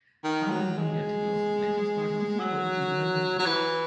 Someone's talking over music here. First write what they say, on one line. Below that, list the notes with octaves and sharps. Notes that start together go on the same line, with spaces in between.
Arno nahm die Artikel aus dem Einkaufswagen und verstaute sie in seinem Rucksack.
D#3
F#3
G#3
F#3
F#3
E3